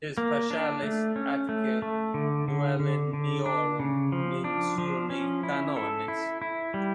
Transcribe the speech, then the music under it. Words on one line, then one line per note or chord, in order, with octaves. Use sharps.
His Paschales atque nouiluniorum mensurni canones.
A#3
D4
A3
C#4
A3
A3
D3
D3
D3
D3
D4
C#3
F3
D4
F3
C#4
E4
A4
E4
E4
G3